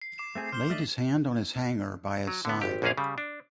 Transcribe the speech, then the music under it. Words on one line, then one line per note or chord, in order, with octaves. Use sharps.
Laid his hand on his Hanger by his side.
C7
D6 C7 E7
A3 C4 G#4
C5 F6 G7
A3 D5 D#5 F6 B6 F#7
F#3
D3 B3
G#1 G4
A#1 F#2 A#3 C#4 G#4 F5
C#3 G3
D4